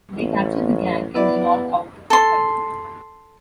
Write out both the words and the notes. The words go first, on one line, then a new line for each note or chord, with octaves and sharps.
They capture the gang in an all-out fight.
A1
B3 E4 D5
A4 C6